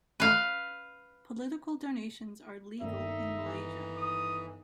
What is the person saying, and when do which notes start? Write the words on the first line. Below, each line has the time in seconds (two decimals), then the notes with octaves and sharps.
Political donations are legal in Malaysia.
0.20 B4 F5
2.81 G1 D#2 D#3 D#4 E5
3.44 E3
3.97 D#6